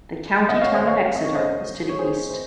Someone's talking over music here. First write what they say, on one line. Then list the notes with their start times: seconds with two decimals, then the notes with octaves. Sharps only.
The county town of Exeter is to the east.
0.49 D#5 F#5
0.61 C#5 F5
0.74 C5 D#5
0.87 C#5 F5
1.05 F5
1.16 D#5
1.25 C#5
1.35 C5 D#5
1.89 C#5
1.99 G#4 C5
2.29 C5